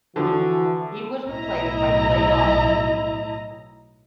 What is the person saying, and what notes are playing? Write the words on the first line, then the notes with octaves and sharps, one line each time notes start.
He was replaced by Blake Austin.
D3 E3 F3 F#4
B1 A2 E4 D#5 A#5